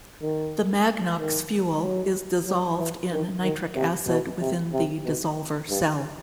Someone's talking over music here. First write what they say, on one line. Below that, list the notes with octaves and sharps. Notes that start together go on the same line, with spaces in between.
The Magnox fuel is dissolved in Nitric acid within the Dissolver Cell.
D#3
D#3
F#3
F#3
E3
D#3
D#3
C3
B2
C3
C3
B2
G2